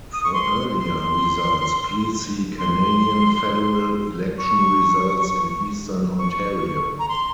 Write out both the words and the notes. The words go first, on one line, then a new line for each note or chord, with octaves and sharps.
For earlier results, please see Canadian federal election results in Eastern Ontario.
D#6
C#6
C6
C6
C6
C#6
C#6
A#5
C6